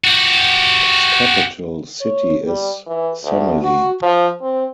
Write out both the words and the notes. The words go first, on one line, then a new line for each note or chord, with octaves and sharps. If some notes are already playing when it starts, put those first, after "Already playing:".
Its capital city is Semily.
F#4 G4
C#5
G3
E3
D2
F#4
F3
C4